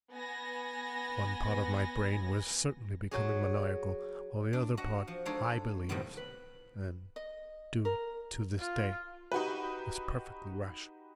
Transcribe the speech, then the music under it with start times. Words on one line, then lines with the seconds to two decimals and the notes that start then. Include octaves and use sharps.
One part of my brain was certainly becoming maniacal, while the other part, I believe, and do to this day, was perfectly rational.
0.14 B3 G#5 A#6
3.11 F#3 F#4 G#4
4.53 D4
4.77 F#4 D#5 F#5
5.07 F3 F#5
5.25 G#3 D4 D#4 A4 C5 C#5
5.89 A2 C3 D#3 F3 G3 B3
6.17 B4
7.16 D#5
7.85 A#4
8.59 F4
9.32 D#4 F#4 G4 B4